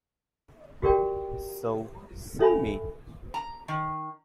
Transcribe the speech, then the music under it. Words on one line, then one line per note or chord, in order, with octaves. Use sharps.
So sue me!
F#4 G4 A#4 D5 G5
C#4 A4 C#5 E5 G#5 B5
A#5
D#3